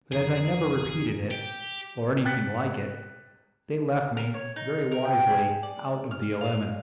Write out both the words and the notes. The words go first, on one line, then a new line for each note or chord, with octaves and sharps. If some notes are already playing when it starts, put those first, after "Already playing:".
But as I never repeated it--or anything like it--they left me, very wisely, out of the eleven.
F2 D#3 G#4 A#5
G4
G5 F#6 A6 B6 C#7
A#4
C#5
D#4
A#4
G5
G#4
D5
F6
F5